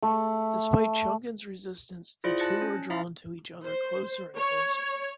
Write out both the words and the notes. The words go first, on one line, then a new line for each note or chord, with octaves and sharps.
Despite Shunkin's resistance the two are drawn to each other closer and closer.
A3
E4 F4 G#4 C5 D5
A5 F#6 A6 A#6 C#7
C#4
E4 E5 F5 A#5 A6
C5
C#5